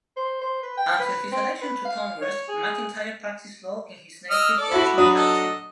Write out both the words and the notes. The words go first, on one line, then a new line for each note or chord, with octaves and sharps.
Until his election to Congress, McIntyre practiced law in his native Robeson County.
C5
C5
B4
G5
B4
C4
B4
F5
C#5
G#4
D#5 E6 F6
A4 D5
E4 F#4 B5
F#3 D4 F#4 B4 D#6
A4 D#5